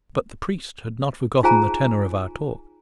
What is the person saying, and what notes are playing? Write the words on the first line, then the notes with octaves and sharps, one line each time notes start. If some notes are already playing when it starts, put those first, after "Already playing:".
But the priest had not forgotten the tenor of our talk.
D#4 F4 G#4 C5 G#5 A#5